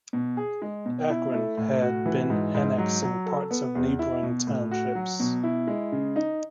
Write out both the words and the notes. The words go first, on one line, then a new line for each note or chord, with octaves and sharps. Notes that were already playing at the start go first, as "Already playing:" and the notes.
Akron had been annexing parts of neighboring townships.
B2
G#4
G#3
B2
E4
A3
A2
F#4
E3
G#2
G#2
F#3
F#3
A4
B3
E2
E4
B2
A2
F#4
F#3
B2
E4
G#3
C#3
D#4